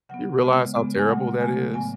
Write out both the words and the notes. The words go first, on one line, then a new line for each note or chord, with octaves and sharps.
You realize how terrible that is?
C#3 F#3 B3 F#5
C#3 G#3 B3
C#3 G#3 B3
G#5
C#3 F#3 A3 F#5
C#3 F#3 A3 G#5
A2 F#3 B3 G#5